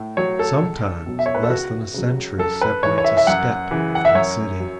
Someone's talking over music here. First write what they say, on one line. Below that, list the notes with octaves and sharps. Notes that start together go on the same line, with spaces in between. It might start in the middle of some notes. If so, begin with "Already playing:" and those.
Sometimes less than a century separates a steppe from a city.
Already playing: A2
F#3 C#5
A4
C#2
B2 F#3
E5
C#5
B4
A4
C#2 F#4
C#3 F#3
F#2 A4
B4
E3 C#5
C#5
E5
E5
F#2 F#5
C#3 E3
F#5
E5
F#2 C#5
F#3